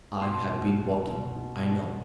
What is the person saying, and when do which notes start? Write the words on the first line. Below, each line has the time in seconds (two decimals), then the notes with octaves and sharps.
I have been walking, I know.
0.21 B2 C6
0.50 B2
0.79 B2
1.07 B2
1.36 B2
1.64 B2